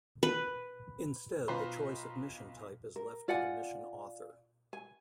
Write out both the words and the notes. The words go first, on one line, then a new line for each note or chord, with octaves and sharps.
Instead, the choice of mission type is left to the mission author.
B4
B1 F4 B4 C5 A#5
A#4
F4 D5 F#5 G#5
G#5